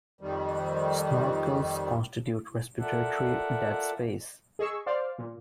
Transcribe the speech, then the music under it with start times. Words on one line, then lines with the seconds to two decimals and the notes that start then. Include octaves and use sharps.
Snorkels constitute respiratory dead space.
0.21 F2 D#3 G3
2.80 F4 A4 A#4 D5 E5 F#5
4.59 G#4 D#5 C#6 E6
4.86 C5 D5 F5
5.18 A#2